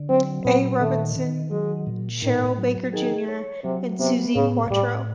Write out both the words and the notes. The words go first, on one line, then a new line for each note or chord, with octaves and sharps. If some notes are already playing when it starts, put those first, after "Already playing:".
A. Robertson, Cheryl Baker, Junior and Suzi Quatro.
Already playing: D3
F#3 C4
A#2 B3
D#3 A3
D#3
F#3 G#3
A#2
A2 D#3
F#3
D#3 G#4
C#5
C3 F#3
C3 B3
A2 C#3
A2 G3